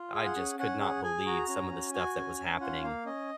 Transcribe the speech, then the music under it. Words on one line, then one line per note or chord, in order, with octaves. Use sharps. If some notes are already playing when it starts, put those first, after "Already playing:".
I just could not believe some of the stuff that was happening,
Already playing: F4
G#4
F#5
C#4
C#4 F#5
G#4 F#5
G#4 G#5
F#4 A#5
C#4
F#4
F#4 G#5
C#4
C#4
F4 F#5
A#3 F5
C#4 D#5